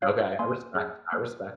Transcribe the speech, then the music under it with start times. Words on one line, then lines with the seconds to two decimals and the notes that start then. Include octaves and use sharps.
okay. I respect, I respect.
0.02 F4 C#5 F5
0.39 A#3 G#5 C6
0.76 G#4
1.12 A#3